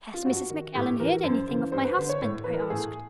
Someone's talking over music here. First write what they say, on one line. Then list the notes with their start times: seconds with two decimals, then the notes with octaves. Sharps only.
"Has Mrs. Macallan heard anything of my husband?" I asked.
0.14 F4
0.25 G2 F#4
0.50 D#3
0.75 A2 G4
0.99 E3 A#4
1.23 F#2 C5
1.49 C#3 E3
1.72 G2 C5
1.84 B4
1.97 D3 C5
2.09 C#5
2.21 A2
2.44 E3 B4
2.53 A#4
2.62 A4
2.70 A2 G#4